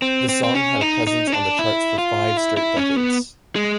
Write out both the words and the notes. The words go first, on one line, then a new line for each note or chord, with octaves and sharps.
The song had a presence on the charts for five straight decades.
C4
C4
C4
C#4
D#4
D#4
C#4
D4
E4
F4
E4
E4
C#4
B3
G#3